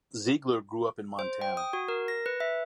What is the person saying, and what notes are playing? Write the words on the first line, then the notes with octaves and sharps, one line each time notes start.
Ziegler grew up in Montana.
C5
G5
D#6
F#4
A#4
A#6
B4
E5